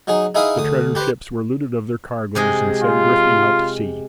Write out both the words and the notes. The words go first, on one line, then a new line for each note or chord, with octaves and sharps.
The treasure-ships were looted of their cargoes and sent drifting out to sea.
F#3 D#4 G#4
D#4 E4 G#4 E5 F5 D#6
D2 D#6
G4 B4 C5
C3 G#3 G#4
F4